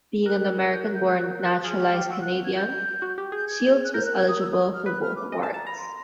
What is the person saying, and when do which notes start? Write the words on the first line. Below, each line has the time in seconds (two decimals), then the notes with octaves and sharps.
Being an American-born naturalized Canadian, Shields was eligible for both awards.
0.26 A#4 F#6
0.72 G6
0.84 F#6
0.95 G6
1.07 G6
1.18 F#6
1.30 G6
1.41 F#6
1.53 F#6
1.64 G#4 F6
1.80 G4
1.94 G4
2.10 F#4 E6
2.21 F#6
2.45 G#6
2.56 G6
3.02 F#4
3.18 G4
3.32 G#4 G6
3.48 G#6
3.84 F#6
3.94 A#4 G6
4.05 F#6
4.17 G#6
4.28 D#6
4.40 E6
4.51 D#6
4.74 F6
4.86 B4 F#6
5.02 F6
5.16 D6
5.32 D#5 G#5
5.43 G#5 A5
5.54 A5 A#5
5.66 A#5 B5
5.78 C6